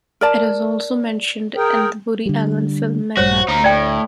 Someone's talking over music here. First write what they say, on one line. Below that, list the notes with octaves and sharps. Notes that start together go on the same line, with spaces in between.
It is also mentioned in the Woody Allen film "Manhattan".
A#4 D5 A5
G#4 A#4 G5
D3 G3
A#1 G2 G3 F#4 C5 C#5
D2 A#3 D#4
A2 D5 G5